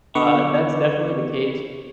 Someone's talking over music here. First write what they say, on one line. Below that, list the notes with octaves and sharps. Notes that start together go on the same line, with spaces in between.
uh, that's definitely the case
D3 B3 B4 C#6 D6